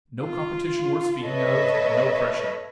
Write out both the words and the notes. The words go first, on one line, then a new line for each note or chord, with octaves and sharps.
No competition worth speaking of--no pressure.
F4
A4 B4 C#5 D#5 E5